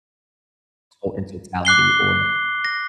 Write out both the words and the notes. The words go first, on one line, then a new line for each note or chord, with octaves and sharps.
to in totality or
D6 F#6 C7 G7
A#6